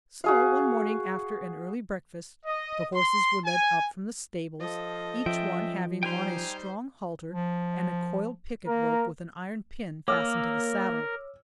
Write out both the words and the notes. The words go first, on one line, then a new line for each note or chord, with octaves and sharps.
So, one morning after an early breakfast, the horses were led up from the stables, each one having on a strong halter, and a coiled picket rope with an iron pin fastened to the saddle.
F#4 G#4 F5
D#5
C6
G#5
F3 A4 D#5
F3 C#4 E5 G5
G3 D#4 C5 G5 G#5 A#5 C6
F3
A#3 A#4
A#3 A#4 C#5 D6 E6 F6